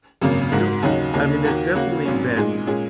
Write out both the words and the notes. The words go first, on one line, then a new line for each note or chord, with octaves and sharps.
I don't I mean, there's definitely been
G#1 F#2 C#3 A#3
G#2 G#3 F#4 A#4
D#2 C#3 F#3 D#4 F#4
D#2 C#3 A#3 D#4
D#2 D#3 A#3 F#4 A#4
C#3 A#3 F#4
G#1 G#2 F#3 C#4
A#2 G#3 D#4 G#4
A#2 G#3 C#4 G#4